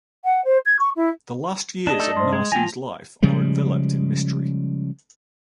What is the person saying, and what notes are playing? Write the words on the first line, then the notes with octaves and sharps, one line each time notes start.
The last years of Narses' life are enveloped in mystery.
F#5
C5
G#6
C#6
E4
D4 D#5 E7
A3 D#4 A4
G2 C5 C6
G#3 G#6
F3 A3 G5 G#5 A#6 F7
C#3 F3 G3 G#3